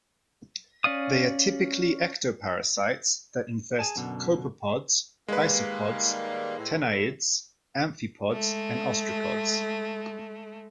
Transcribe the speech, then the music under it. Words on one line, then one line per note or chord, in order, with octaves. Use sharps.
They are typically ectoparasites that infest copepods, isopods, tanaids, amphipods and ostracods.
C#4 D5 F5 D#6
G#4 G#5 A5
F#2 B2 D3
D#3 G3 G#3 A#3 B4
A2
G#3 A3